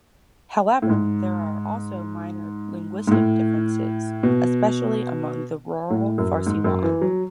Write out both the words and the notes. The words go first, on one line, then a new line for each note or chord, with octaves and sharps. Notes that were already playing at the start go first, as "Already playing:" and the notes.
However, there are also minor linguistic differences especially among the rural Farsiwan.
A2
G#2
G#2
A2
B2
A2
F#2
G#2
F#2
E3
F#3